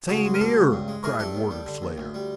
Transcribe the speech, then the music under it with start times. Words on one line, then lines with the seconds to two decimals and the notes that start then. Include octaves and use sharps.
"Same 'ere!" cried Warder Slater.
0.08 C#2 F#4 G#4
0.25 G#3
0.34 A#4
0.40 B2 G4 A4
0.56 C#2
0.72 G2
0.88 G#3
1.03 E3 G#4 A#4
1.19 G2 G4 A4
1.35 D#2
1.51 G3
1.66 D3
1.82 D#2
1.98 D2
2.14 G3